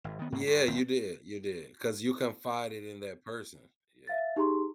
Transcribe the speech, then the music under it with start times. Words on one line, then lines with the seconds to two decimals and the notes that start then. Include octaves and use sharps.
Yeah, you did, you did, 'cause you confided in that person, yeah.
0.04 G#1
0.19 D#3 B3
0.32 G#2 A#3
0.47 G2
0.67 G1 D#2 C4
4.07 E5 F5 A6
4.36 D#4 G4 G#4 A#5 C6 C#6